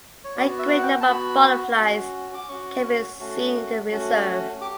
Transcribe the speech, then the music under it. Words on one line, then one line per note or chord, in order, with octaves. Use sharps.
A great number of butterflies can be seen in the reserve.
C#5
B3 F#4 D5
E5
F#5
G5
A5
B3 F#4 B5
C#4 F#4
D6
C#4 F#4 C#6
A3 C#4 F#4
A3 C#4 F#4
G4 D6